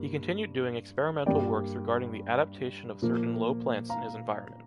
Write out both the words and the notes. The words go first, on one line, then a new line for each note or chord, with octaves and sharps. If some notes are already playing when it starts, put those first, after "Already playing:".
He continued doing experimental works regarding the adaptation of certain low plants in his environment.
Already playing: G2 A#3
G2 G3 A#3 D5 G5
A#2 F3 A#3
F5 A#5